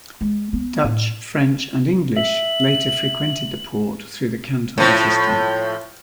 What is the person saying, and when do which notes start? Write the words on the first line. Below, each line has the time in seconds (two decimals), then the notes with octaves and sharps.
Dutch, French, and English later frequented the port through the Canton System.
0.21 G#3
0.53 B3
0.84 A2
2.16 E5 F#7
4.78 A2 F3